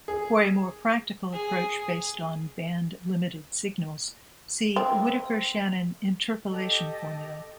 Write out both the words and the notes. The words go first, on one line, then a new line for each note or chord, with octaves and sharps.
For a more practical approach based on band-limited signals, see Whittaker-Shannon interpolation formula.
G#4
G#4
C4
G4 A4 D#5